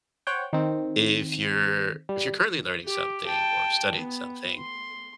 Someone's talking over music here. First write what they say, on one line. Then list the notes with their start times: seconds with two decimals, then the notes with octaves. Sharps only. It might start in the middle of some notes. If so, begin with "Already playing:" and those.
if you're, if you're currently learning something or studying something,
0.27 C5 C#5 F#5 G5
0.53 D#3 C4
2.09 G3
2.85 G4
3.27 G5 A5
3.96 B3
4.58 C6